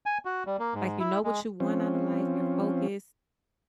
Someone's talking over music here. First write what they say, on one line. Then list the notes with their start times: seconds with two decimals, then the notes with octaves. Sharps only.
Like, you know what you want outta life, you're focused,
0.06 G#5
0.25 F#4
0.47 G3
0.59 A#3
0.74 G#2
1.00 E4
1.24 G#3
1.60 F3 C4 C#4